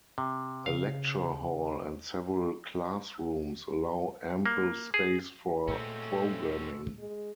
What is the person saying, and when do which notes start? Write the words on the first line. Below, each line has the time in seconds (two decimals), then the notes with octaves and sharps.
A lecture hall and several classrooms allow ample space for programming.
0.18 C3
0.66 C#3 F5
4.46 A#3
4.94 G#4
5.68 A#2 G#3 A3 C4 C#4 F#4 A4
6.99 G#3